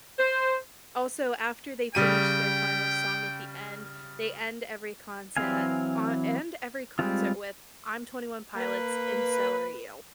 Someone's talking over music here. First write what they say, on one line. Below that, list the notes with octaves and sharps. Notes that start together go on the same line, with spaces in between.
also, after they finish their final song at the end, they end every concer o end every concert with "I'm Twenty One Pilots, and so are you."
C5
C#3 G3 G5 D#7
E3 F#3 C4 F5 G#5
G3 G#3 C4 F4
A#3 B4